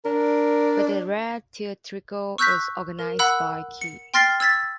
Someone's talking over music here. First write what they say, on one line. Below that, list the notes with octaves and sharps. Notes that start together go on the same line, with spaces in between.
But "The Rare Theatrical" is organized by key.
D4 A#4
C#6 E6 F#6 G6 A#6 B6
A#4
F#5 B5 E6 F#6
C#7
G5 C6 F6 A6 A#6 C7
E6 G#6 A6 B6